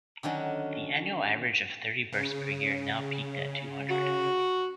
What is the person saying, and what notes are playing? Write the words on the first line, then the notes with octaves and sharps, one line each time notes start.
The annual average of thirty births per year now peaked at two hundred.
D3 D#3 F#3 C#4
C#3
F#4